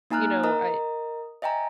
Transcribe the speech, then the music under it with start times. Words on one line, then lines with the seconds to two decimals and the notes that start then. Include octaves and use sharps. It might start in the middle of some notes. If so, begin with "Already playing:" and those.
you know, I,
0.10 A#3 D#4 G#5 A#5 F6 F#6
0.43 A#4 D#5 A#5 D#6
1.42 D#5 E5 G5 G#5 A#5